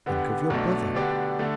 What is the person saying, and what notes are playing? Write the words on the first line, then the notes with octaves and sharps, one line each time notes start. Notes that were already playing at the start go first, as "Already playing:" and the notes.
Think of your brother!
D3 B3 G4
B1 B2 A3 D4
D3 B3 D4 G4 D5
D3 A3